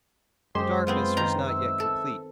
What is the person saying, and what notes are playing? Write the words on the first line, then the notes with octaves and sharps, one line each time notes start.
The darkness was not yet complete.
F#2 G#3 G4 C5
F3 B3 C4 F4
D#3 G5 A#5
E5
A4